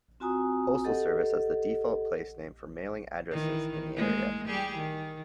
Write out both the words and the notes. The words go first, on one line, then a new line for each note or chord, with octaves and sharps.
Postal Service as the "default" place name for mailing addresses in the area.
C4 F4 F#4 G#5 A#5 D#6
G4 A4 D#5 F#5
D#3 E3
G#3 A#3
G3 G4 G#4
D#3